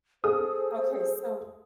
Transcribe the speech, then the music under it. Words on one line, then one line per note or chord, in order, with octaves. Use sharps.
Okay, so
G#4 A4 C5 D#6